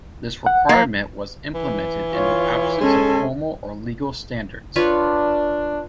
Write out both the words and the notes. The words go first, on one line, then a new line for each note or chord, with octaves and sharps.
This requirement was implemented in the absence of formal or legal standards.
F#5
A#3
E3
F4 C#5
G#3 C#4 A4
D4 F4 B4 C#5